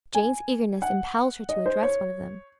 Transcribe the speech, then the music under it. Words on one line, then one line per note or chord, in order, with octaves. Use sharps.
Jane's eagerness impelled her to address one of them.
G#5
F#5
D#5
C5
C#5